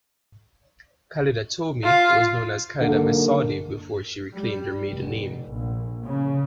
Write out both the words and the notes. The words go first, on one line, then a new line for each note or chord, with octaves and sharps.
Khalida Toumi was known as Khalida Messaoudi before she reclaimed her maiden name.
F4
G#2 D3 F#3 A#3
G3
F1
A#1
C#3